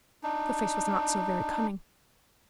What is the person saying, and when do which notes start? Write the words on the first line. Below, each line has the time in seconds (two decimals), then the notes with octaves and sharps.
The face was not so very cunning.
0.23 D4 D#4